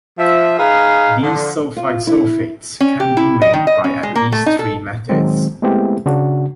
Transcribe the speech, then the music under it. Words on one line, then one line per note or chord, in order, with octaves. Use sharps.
These sulfite sulfates can be made by at least three methods.
F3 E5
D#4 G#4 B4 F5
D3 F3
F4
E4
C#4
G4
E4
D#5
D#3
D#5
C#4
G#3
A#3
A3
D#4
A4
D#3 F#3 G#3 C4
G#3 A3 B3 C4 E4 G4
C#3 D4 F#4